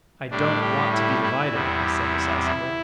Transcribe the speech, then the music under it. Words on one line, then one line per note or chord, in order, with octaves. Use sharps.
"I don't want to be divided," he said decisively.
A2 G3 D4
G4
E4
E4
E2 C3 G3
E4